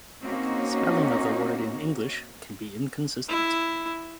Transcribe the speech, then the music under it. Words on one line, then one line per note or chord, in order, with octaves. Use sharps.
Spelling of the word in English can be inconsistent.
A#3 C4 C#4 D#4 F#4
E4